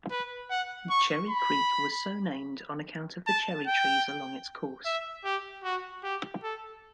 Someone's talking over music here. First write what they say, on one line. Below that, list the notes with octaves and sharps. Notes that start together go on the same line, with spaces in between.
Cherry Creek was so named on account of the cherry trees along its course.
B4
F#5
C#6
B5
A5
G5
E5
G4
F#4
G4
A4